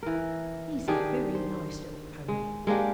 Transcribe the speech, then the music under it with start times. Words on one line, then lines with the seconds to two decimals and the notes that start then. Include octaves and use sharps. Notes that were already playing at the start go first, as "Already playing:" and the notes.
He's a very nice little pony.'
0.03 E3 A#4
0.88 D#3 D4 G4 G#4
1.35 C5
2.28 G#3
2.67 G#3 A#3 D4 G4